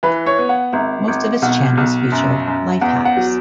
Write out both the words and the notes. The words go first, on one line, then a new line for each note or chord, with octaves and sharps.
Most of its channels feature "life hacks".
E3 B4 B5
C#5 C#6
B3
F#5
G#1 E5
G#1
B1 F#5
B1
F#2
F#2
E2 F#5
F#5
F#3